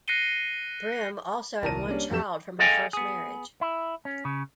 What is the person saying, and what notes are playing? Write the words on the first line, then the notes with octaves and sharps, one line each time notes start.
Brim also had one child from her first marriage.
F#6 A#6 C7 C#7 D#7 G7
D#1 C2 A#4 A5 A#6 D#7
G3 A#3 C#4 D4
F2 F#3 G4 A4 E7
G#4 A4 D#5 F5 G5 G#5
B3 G#4
E4
C#4
C#3